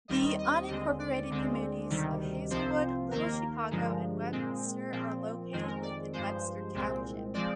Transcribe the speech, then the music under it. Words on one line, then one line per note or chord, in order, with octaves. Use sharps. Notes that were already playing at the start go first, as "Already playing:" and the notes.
The unincorporated communities of Hazelwood, Little Chicago, and Webster are located within Webster Township.
D#2 D#3 G3 C4 D#5
D#5
D#2 D3 G#3 C4 D#5
D5
D2 D3 G#3 C4
D2 C3 D#3 G3
C2 C3 F3 C4 C5
D#2 D#3 A#3 A#4
G2 D3 F3 G#3
A#2 G#3 C4
A#2 F3 C4
F2 D#3 G#3 C4 G#4
A#4
D5
G2 F3 G#3 C5
C2 A#2 G#3 C4
F3 G#3 C4 D5